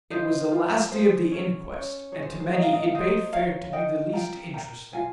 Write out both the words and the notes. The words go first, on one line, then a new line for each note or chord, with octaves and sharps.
It was the last day of the inquest, and to many it bade fair to be the least interesting.
F4 C5 D#5
F4
G#4 C5
C#4 C#5
C#4 C#5
G#4 C#5
C5
C5
A#4 D#5
F5
D#5
F5
A#4 C5 D#5
A#4 C#5 F5
A#4 D#5 G5
F4 G5 A#5
A#4 G5 A#5
F4 F5 G#5